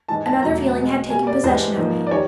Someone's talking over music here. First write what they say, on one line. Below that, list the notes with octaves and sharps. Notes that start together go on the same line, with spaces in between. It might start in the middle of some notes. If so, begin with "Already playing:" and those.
Another feeling had taken possession of me.
G#2 E3 G#3 A5
A5
E2 B2 F#3 A3 A#5
B2 G#3
B2 G3 A#3 G#5
D5
G2 E3 G#3 C5
G#2 F3 A#3
D5
D#3 G3 C#5